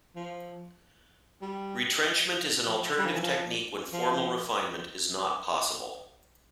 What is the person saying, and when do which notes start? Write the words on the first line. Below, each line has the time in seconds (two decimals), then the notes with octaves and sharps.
Retrenchment is an alternative technique when formal refinement is not possible.
0.16 F3
1.41 G3
2.67 F3
2.98 G3
3.06 F3
3.14 E3
3.22 F3
3.93 F3